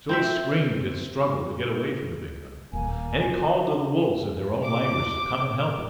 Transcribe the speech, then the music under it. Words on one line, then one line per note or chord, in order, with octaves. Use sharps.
So he screamed and struggled to get away from the big hunter, and he called to the wolves in their own language to come and help him.
C4 C5 E5
D#1 A#3 G#5
D6